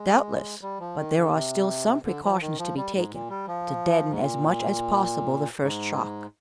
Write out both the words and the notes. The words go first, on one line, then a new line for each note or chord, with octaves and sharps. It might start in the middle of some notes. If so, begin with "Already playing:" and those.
"Doubtless; but there are still some precautions to be taken, to deaden as much as possible the first shock."
Already playing: G#3
G3
F3
D#3
D3
C3
D3
F3
D#3
F3
G3
G#2
A#2
G3
F3
G#2
A#2
G#2